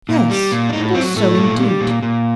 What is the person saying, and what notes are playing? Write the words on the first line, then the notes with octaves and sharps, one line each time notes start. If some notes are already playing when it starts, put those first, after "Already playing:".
'Yes; it is so, indeed.
A#2
G3
A#2
D4
A2 D#4
F#3 C4
A2 A3
A#2
G3
A#2
A#2